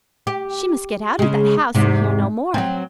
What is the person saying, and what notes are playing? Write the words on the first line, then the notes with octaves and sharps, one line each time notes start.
She must get out of that house and hear no more.
G4
C#3 G#3
E2 G#2 C3
F#3 C4